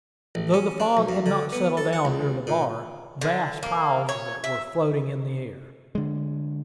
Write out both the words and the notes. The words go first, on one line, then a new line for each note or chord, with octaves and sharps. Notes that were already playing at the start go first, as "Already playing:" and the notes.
Though the fog had not settled down near the bar, vast piles of it were floating in the air.
A1
C#4
D4
B1
F#2
D3
B3
A4
F#5
C#2
A#2
D3
A#3
C#5
E5
D3 G#3